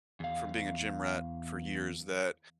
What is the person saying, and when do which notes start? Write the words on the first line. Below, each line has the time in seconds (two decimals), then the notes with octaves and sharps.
from being a gym rat for years- that
0.20 E2 F5